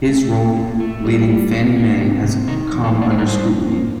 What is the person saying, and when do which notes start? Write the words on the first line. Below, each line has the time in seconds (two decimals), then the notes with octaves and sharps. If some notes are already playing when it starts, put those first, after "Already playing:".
His role leading Fannie Mae has come under scrutiny.
0.09 A3
0.33 A#2
0.56 A#2
0.80 A3
1.05 G3
1.28 G3
1.52 A#3
1.76 A#3
2.01 C3
2.24 C3
2.47 D#3 D#4
2.72 F2
2.84 A4
2.95 A#3
3.02 D5
3.10 C5
3.18 G3 A#4
3.28 C5
3.44 F2
3.67 A#3